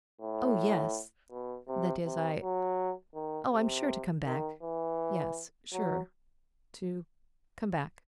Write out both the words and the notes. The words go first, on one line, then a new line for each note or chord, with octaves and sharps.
"Oh yes--that is, I----Oh, I'm sure to come back--yes--sure--to--come--back."
A2
B2
C3
C3
F#3
D#3
C3
D#3
E3
F#3